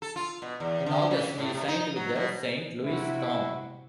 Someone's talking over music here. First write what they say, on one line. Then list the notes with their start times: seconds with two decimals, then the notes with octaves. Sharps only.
In August, he signed with the Saint Louis Storm.
0.02 A4
0.16 F4
0.42 B2
0.60 E2
0.86 D3
1.11 C#3
1.38 A2
1.54 C3
1.68 D#4
1.96 F#3
2.16 B2
2.84 C3 E4 F#4